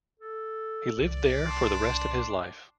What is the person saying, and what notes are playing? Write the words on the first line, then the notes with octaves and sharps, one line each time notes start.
He lived there for the rest of his life.
A4
C2 D5
D4 C6